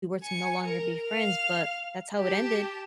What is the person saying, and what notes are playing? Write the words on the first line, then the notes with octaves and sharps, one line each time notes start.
were to no longer be friends, but that's how it ended.
G#5 C#7
A#4
F5 F6
G4 A5